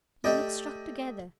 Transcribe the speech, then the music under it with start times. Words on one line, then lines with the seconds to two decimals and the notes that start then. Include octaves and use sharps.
You look struck together.
0.24 A3 G4 D5 D#5